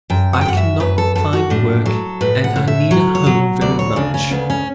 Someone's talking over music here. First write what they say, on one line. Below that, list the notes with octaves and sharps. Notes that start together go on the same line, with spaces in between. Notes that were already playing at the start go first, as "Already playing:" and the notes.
"I cannot find work, and I need a home very much."
F#2 G5
F#5
G5
F#2 F#5
E5
F#2 B4
A4
F#2 A4
F#4
A2 D4
F#3 A4
A2 B4
F#5
A2
E5
F#3
C#5
F#3
D2 D5
C#5
C#3 D4
C#4
D2 B3
C#4